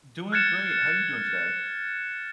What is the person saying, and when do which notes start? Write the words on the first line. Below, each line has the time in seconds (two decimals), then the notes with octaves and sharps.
Doing great. How you doing today?
0.32 F6 F#6 G#6 A6 C#7 E7